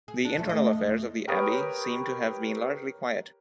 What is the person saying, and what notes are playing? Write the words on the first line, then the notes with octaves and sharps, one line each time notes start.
The internal affairs of the abbey seem to have been largely quiet.
G#4
D4
D2 A3
D#5
F2
G4 A#4 B4 C#5 D#6